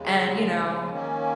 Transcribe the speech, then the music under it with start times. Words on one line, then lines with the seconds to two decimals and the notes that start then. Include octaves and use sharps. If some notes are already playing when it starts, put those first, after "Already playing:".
And, you know,
Already playing: D#2 C#3 G#3
0.90 D#3 A#3 C#4